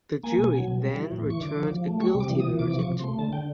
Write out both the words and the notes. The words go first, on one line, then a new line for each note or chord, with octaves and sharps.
The jury then returned a guilty verdict.
A#3 G#5
B2
F#3
B2
G3
E3
A2
E3 C#6
D3 D6
F3
F3
A3
G3 C#6
C3
D6
E3
D#6
E3
C3 D6
F3 D6
C#6
C3
C6
A3
D3 A5
D3 G5